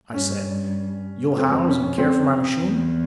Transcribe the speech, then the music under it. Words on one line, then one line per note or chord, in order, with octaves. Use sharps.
I said, "You'll house and care for my machine?"
G2 C#4
F2 C4
C4
C#4
C#4
C4
E2